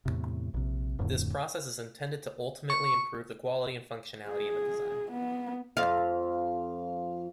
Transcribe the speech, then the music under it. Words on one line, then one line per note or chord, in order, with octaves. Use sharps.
This process is intended to ultimately improve the quality and functionality of a design.
E2 A2 C3
A#1 C3
D1 F2 A2 D3
C#6
G#4
B3
F2 F5